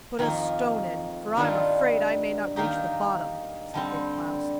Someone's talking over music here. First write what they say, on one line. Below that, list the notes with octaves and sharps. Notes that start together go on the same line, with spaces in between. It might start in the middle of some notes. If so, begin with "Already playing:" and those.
'Put a stone in, for I am afraid I may not reach the bottom,' said Big Klaus.
F2 D#3 A#3
G2 D#3 G3 D4 F4
D#3 A#3 D#4 G4
D3 G3 C4